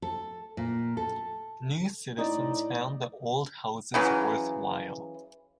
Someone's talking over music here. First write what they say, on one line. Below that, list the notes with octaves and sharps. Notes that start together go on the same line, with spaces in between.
New citizens found the old houses worthwhile.
A4
A#2
A4
A2 D#4 D5
C#3 E3 F#3